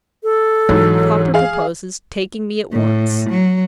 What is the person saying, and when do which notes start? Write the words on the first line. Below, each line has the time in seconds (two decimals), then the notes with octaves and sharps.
"Papa proposes taking me at once."
0.23 A4
0.69 G#2 E3 F#3
1.34 G#4 F5
2.72 A2
3.29 F#3